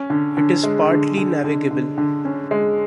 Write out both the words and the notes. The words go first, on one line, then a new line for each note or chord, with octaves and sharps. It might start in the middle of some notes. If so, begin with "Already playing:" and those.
It is partly navigable.
Already playing: C#4
D3
D3
G#3
D3
D3
D3
D3
D3
C#4
G#3